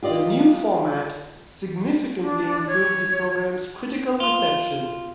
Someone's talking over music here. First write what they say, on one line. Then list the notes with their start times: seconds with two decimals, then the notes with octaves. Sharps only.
The new format significantly improved the program's critical reception.
0.02 F4 G4 D5 D#5
2.20 D4
2.67 C#5
4.20 F4